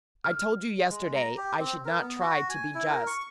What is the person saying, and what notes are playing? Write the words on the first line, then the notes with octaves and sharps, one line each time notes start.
I told you yesterday I should not try to be just.
F6
G#3
A#5
G4
C4
A#4
B3
F#4
G#5
E4
A#4
C#6